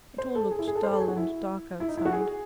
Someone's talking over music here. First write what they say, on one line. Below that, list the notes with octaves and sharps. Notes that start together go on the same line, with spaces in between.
It all looked dull and dark outside.
C5
A4
G#4
E4
G#4
A4
C5
A4
G#4
F#4
E4
E4
D#4
E4
F#4
G#4